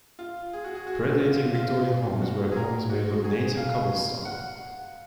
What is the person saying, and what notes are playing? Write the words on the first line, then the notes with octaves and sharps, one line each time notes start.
Predating Victorian homes were homes made of native cobblestone.
F4
G#4
F#4
G#4
F#4
F4
F4
F#4
G#4
A#4
F#4
G#4
F5
F#5